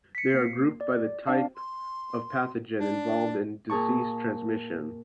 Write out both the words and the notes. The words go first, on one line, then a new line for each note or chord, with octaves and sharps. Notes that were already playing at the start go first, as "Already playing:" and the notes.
They are grouped by the type of pathogen involved in disease transmission.
B6 C#7
A#3 C7
D5
C4 D4 D5 F5 A5
C6
D4 D5
A#2 G#4 A5 C#6